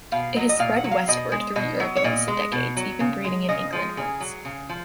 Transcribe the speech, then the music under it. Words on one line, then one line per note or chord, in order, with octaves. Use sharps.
It has spread westward through Europe in recent decades, even breeding in England once.
B2 F5
F#3 D#5
D#5
A#2 F5
F#5
F#3
F5
B2 D#5
G#3
B2 D#5
F#3
C#5
A#2 D#5
G#3
B2
F#3
C#3
G#3
C#3 D#5
F3 G#3
C#3 G#4
F#3
C#3
F3